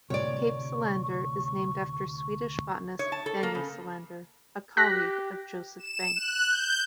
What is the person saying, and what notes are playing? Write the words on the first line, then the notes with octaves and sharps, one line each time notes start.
Cape Solander is named after Swedish botanist Daniel Solander, a colleague of Joseph Banks.
D2 A2 C3 C#5 D5 C#6
C#5
A5
A4
A#3
C#3
G4 F#6 A#6 B6
E7
F#6
G6